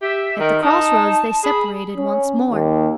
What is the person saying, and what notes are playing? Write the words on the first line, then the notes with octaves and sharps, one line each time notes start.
At the cross roads they separated once more.
G4 E5
D#3 A#4
D#4 A5
G#4 B5
C#4
D#2